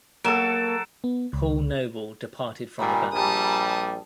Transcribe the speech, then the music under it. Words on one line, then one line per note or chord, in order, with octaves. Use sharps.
Paul Noble departed from the band.
F#3 A#3 A4 D7 E7
B3
C#2
A#2 D#3 G3 G#5 A#5 B5
A#1 G3 A5 D#6